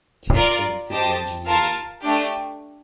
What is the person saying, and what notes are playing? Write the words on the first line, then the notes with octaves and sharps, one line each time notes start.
Tech in Civil engineering.
F4 A#4 D5
G4 C5 D#5 A5
F4 A#4 F5 A5
A3 D4 G4